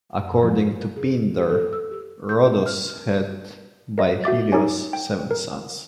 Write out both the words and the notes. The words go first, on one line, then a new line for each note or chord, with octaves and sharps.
According to Pindar, Rhodos had, by Helios, seven sons.
F#2
F3
G#4
G4
A4
E6
G4
G6
G4
F6
A#4 D#5
F#4 E5 D6 A6
D#4 G4 C#5 G#5
G5
A#4